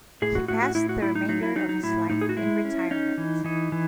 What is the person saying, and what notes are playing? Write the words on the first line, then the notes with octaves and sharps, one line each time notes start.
He passed the remainder of his life in retirement.
A2 G#4
F#4
A2 F#4
F#4
A2 E4
F#4
A2 E4
D#4
F#3 D#4
E4
F#3 D#4
D#4
A2 E4
A2 D#4
G#4
F#4
G#3 E4
C#4
C#4 D#4
E3
E3 D#4
E3